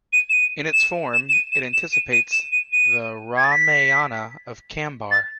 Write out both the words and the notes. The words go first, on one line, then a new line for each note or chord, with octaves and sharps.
In its form, it anticipates the Ramayana of Kambar.
D#7
E7
D#7
E7
E7
E7
D#7
E7
E7
D#7
D#7
E7
D#7
D#7
G#6
A6
B6
A6